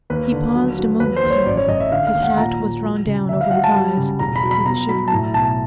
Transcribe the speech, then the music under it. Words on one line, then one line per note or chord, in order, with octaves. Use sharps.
He paused a moment, however; his hat was drawn down over his eyes; he was shivering.
D#2 B4
D3
F#3
F#3
D#2 B4
C5
D#2
C#5
A1 D5
C#5
A1 D#5
E5
D3 F5
F5
D#2
F#5
A#2 A#5
A#2
F#3
C#3
D2 E5
F5
F#3 F#5
A5
G3
C#3
E1 A#5
B5
F#3
B5
B2 A#5
F#3 B5
A5
A2 A#5
B1 A5